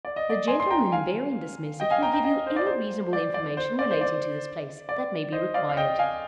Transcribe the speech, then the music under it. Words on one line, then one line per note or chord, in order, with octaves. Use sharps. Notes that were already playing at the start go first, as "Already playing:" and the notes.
The gentlemen bearing this message will give you any reasonable information relating to this place, that may be required.
D5
D#5
D5
G#5 C6
C6
G5 A#5
F5 G#5
D#5 G5
F5 G#5
G5 A#5
G5 A#5
D#5 G5
C5
D5
C5
D5
D5
C5
D5
C5
D5
D5
C5 D#5
D5 F5
F5
D#5 G5
F5 G#5